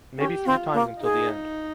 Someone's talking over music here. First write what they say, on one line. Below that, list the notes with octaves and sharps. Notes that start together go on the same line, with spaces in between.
Maybe three times until the end.
C#4 G4
C4 F4
A#3
D#4 G#4